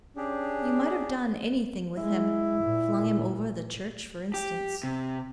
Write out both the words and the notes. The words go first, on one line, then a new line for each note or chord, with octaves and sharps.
You might have done anything with him--flung him over the church for instance.
C#4 D4 G4 G#4
G#3 E4
A#2
G4
C3